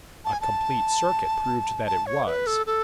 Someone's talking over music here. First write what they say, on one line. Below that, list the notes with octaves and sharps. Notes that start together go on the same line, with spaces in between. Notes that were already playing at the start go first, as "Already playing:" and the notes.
A complete circuit proved that it was.
A5
G#5
A5
A5
C#5
B4
A4
A4